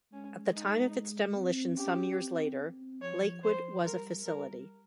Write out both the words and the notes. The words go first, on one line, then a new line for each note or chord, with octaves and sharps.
At the time of its demolition some years later, Lakewood was a facility.
G#3 C#4
D#4
C4
C#4 G4
C4
C4
F3 C#5
F3 C5
G3 A#4
G3 A#4